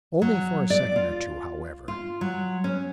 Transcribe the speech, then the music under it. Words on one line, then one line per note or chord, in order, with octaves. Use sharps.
Only for a second or two, however.
F#3
D5
F4
F4
F#3
C#4